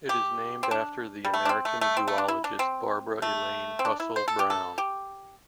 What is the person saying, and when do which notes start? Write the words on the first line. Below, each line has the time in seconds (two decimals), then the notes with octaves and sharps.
It is named after the American zoologist Barbara Elaine Russell Brown.
0.09 G4
0.63 C4
0.71 D4
1.25 G3
1.34 A3
1.45 D4
1.49 C4
1.65 A3
1.81 A3
1.97 C4
2.08 A3
2.18 D4
2.28 E4
2.44 D4
2.59 C4
3.22 A3
3.79 C4
3.85 D4
4.00 E4
4.16 C5
4.28 A4
4.39 G4
4.50 A4
4.78 G4